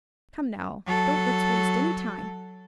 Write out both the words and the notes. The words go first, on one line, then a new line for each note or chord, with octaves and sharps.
Come now, don't let's waste any time.
F#3 A4